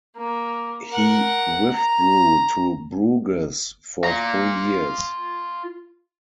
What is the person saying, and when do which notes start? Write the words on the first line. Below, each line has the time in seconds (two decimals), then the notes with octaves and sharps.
He withdrew to Bruges for three years.
0.16 A#3
0.90 A#4 F#5
1.74 A#5
4.04 F4 A#5